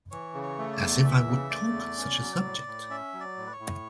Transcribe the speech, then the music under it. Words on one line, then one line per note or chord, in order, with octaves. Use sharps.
As if I would talk on such a subject!
E3 C#5
C#3
C#5
A3
D5
E2
E3 E5
C#3
A3 D5
E2
C#4
F#3
A2
A2
C#4 E5
F#3
D5
A2
B4
C#5
A2